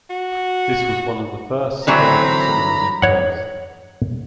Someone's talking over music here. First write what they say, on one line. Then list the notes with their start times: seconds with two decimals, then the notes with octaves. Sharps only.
This was one of the first suburban cinemas in Perth.
0.10 F#4
1.87 D3 E3 F#3 C4 A#5 B5
3.02 C#5 F#5